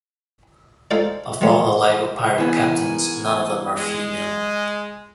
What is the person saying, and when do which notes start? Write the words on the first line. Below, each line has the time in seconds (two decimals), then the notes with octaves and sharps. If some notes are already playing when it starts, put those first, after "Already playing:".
Of all the Lego Pirate Captains, none of them are female.
0.91 G#3 D#4 F4 A4 C5 D5
1.41 D#3 F3 G#3 A3 C#4
2.38 G#2 E3 B3 A#4 G#5
3.76 G#3